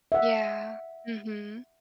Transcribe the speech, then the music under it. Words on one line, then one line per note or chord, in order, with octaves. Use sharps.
Yeah. Mhm.
E5 F#5